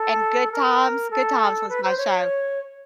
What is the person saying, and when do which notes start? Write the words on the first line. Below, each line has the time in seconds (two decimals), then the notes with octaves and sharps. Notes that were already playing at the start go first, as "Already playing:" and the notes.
And Good Times, Good Times was my show.
Already playing: A4
0.52 A#4
1.11 A4
1.69 B4
1.83 C5
1.98 C#5